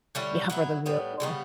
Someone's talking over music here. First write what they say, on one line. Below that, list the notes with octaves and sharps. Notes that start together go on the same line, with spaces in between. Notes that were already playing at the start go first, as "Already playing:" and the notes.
Yeah, for the vehicle.
D3 G3 C#4 E4
F#3 B3 E4
A2 G3 B3
C#3 G3 B3